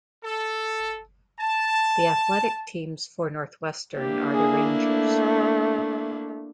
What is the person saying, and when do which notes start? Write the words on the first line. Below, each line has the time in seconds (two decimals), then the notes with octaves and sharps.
The athletic teams for Northwestern are the Rangers.
0.23 A4
1.40 A5
3.97 A#3 D4 E4 G4
4.33 G#4
4.71 A3